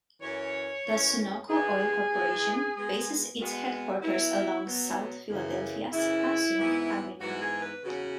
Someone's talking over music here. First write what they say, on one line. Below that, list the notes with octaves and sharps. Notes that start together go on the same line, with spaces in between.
The Sunoco oil corporation bases its headquarters along South Philadelphia's Passyunk Avenue.
F#2 E3 C#4 C#5
F#2 E3 C#4
E2 E3 B3 G#4
E2 E3 B3
B2 G#3 B3
B2 G#3 B3 F#4
B2 F#3 B3 E4
B2 F#3 B3
F#2 C#3 E3
F#2 C#3 E3 E4
G#2 E3 B3
G#2 E3 B3 F#4
G#4
B4
E2 C#3 F#3 C#4 F#4